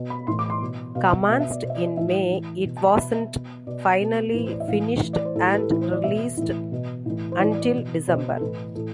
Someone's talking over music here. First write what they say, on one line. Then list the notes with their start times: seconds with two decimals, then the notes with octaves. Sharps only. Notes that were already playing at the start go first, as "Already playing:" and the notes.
Commenced in May it wasn't finally finished and released until December.
Already playing: B2
0.10 B5
0.27 A2 E3 C6
0.39 D6
0.50 C6
0.61 B2
0.95 B2 F5
1.29 B2 E5
1.40 E5
1.52 D5
1.63 B2 C5
1.70 E5
1.75 D5
1.86 E5
1.97 A2 E3 E5
2.31 A2 E3
2.65 B2
2.77 A5
2.87 B5
2.99 B2 E5
3.15 E5
3.33 B2
3.67 B2 D5
4.01 B2 A4
4.34 A2 E3 B4
4.44 C5
4.52 D5
4.60 E5
4.68 A2 E3 F5
5.03 A2 E3
5.13 D5
5.25 C5
5.36 A2 E3 A4
5.47 G4
5.54 B4
5.59 A4
5.69 A2 E3 B4
5.81 C5
5.93 D5
6.04 B2 E5
6.37 A2 E3
6.72 B2
7.06 A2 E3
7.32 C5
7.39 E3 D5
7.44 A2
7.51 D5
7.62 D5
7.73 B2
8.07 B2 C5
8.37 A4
8.41 A2 E3 B4
8.75 A2 E3 A4